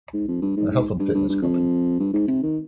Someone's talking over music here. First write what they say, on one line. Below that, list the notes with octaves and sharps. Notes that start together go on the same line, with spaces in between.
A health and fitness company.
G#2
F2
G2
G#2
G#2
G2
G2
G2
F2
G2
G#2
C3
D#3